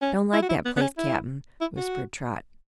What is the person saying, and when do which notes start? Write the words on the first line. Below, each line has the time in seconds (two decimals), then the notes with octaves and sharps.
"Don't like that place, Cap'n," whispered Trot.
0.02 C#4
0.33 E4
0.42 F#4
0.49 E4
0.65 B3
0.76 B3
0.82 C#4
0.98 E4
1.61 E4
1.77 F#4